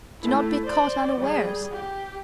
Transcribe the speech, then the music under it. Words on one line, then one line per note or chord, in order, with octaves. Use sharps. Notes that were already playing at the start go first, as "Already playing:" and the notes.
Do not be caught unawares.
A3 E4
C5 D5
G3 G#4
G4